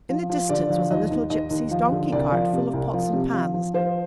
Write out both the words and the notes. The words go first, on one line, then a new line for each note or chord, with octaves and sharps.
In the distance was a little gipsy's donkey cart full of pots and pans.
F3
F3
D3 D5
F3
D#2 D#5
D#2
D#2 D#5
D#2
F3
D3
C2 D5
F3
C3
C2
F3
C3
F3
F3
F3 C5